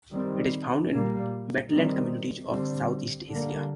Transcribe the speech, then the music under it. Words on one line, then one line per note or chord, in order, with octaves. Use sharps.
It is found in wetland communities of Southeast Asia.
D#3 G3 C4
A#2 G3 A#3
D#3 G3 C4
D3 G3 C4
D3 G3 A#3